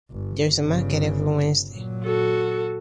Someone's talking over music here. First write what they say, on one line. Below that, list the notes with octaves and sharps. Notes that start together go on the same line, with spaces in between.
There is a market every Wednesday.
G1
G1 C#3
A#2 F#3
F#4 A4